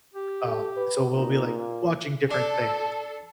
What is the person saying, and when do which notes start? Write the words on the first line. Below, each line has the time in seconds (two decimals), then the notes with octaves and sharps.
um, so we'll be, like, watching different things,
0.14 G4
0.46 A4
0.77 B4
1.15 A#2 D#4
1.57 A#3
2.31 D4 A4